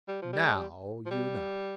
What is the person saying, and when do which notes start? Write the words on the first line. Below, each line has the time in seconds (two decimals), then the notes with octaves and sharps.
Now you know.'
0.08 G3
0.22 F3
0.33 G3
0.45 G#3
0.56 G3
1.06 F3
1.11 G3